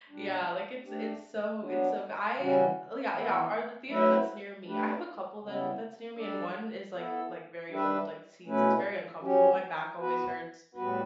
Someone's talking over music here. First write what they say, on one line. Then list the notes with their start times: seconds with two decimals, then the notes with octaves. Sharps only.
Yeah, like, it's it's so it's so goo l uh yeah, yeah or the theater that's near me; I have a couple that that's near me and one is, like like, very old, like, seats it's very uncomfortable, my back always hurts.
0.09 B2 G3 D4
0.85 A3 D4 G4
1.61 F#3 B3 D4
2.37 C#3 E3 G3 C#4 F#4
3.13 E3 B3 E4
3.89 F#3 A3 E4 B4 E5
4.66 A3 D4 G4 B4
5.42 C#3 G3 B3 E4
6.17 G3 D4 A4 D5
6.93 B3 E4 A4
7.70 G3 D4 G4 B4 E5
8.46 B2 A3 C#4 E4 B4
9.22 F#3 C#4 G4
9.98 B3 F#4 B4
10.75 A2 G3 B3 F#4 B4